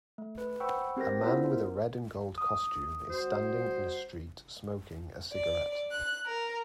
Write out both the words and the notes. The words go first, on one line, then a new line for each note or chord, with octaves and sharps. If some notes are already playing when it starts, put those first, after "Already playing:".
A man with a red and gold costume is standing in a street smoking a cigarette.
A3
B4
C5 F#5 G5 B5 C#6 E6
C4 G4 A#4 C5 A#6
B3 E4 F4 C5 E5
A#4
D#6
G3 C4 F#4 C5
D5
F#6
A#4